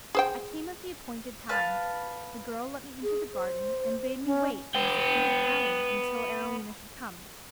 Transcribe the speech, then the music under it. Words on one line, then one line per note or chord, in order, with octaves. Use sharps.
I came at the appointed time; the girl let me into the garden and bade me wait in a secluded alley until Arowhena should come.
G#4 C5 G5
B4 F5 A5
G#4
C5
C#4
B3 G5